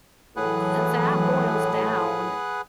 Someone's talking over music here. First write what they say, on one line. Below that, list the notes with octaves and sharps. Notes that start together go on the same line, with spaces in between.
eh, that boils down
A2 E3 F#3 G#4 B4 F#5